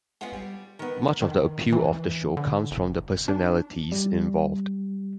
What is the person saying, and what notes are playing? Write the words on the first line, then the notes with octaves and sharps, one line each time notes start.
Much of the appeal of the show comes from the personalities involved.
G#3 B3 C#4 F4 F5 F#5
G3
D#3 B3
D#3
E3
D3
F#1
D4
G3